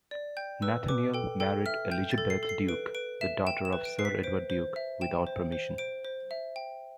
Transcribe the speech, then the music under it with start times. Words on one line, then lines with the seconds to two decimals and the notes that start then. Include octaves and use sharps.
Nathaniel married Elizabeth Duke, the daughter of Sir Edward Duke, without permission.
0.11 D5
0.37 G5 G6
0.62 B4 E6
0.88 B4 D6
1.14 A4 G5
1.40 A4 G5
1.66 E5 F6
1.91 G5 G6
2.11 A6
2.18 A4
2.30 C7
2.43 A4
2.49 C7
2.68 B4 D7
2.95 B4 D7
3.21 E5 E7
3.47 G5 E7
3.65 E7
3.73 B4
3.85 D7
3.99 B4 C7
4.05 B6
4.23 C5 D7
4.50 C5
4.76 E5
5.01 G5 E7
5.27 C5
5.52 C5
5.78 C5 D7
6.05 C5
6.31 E5
6.56 G5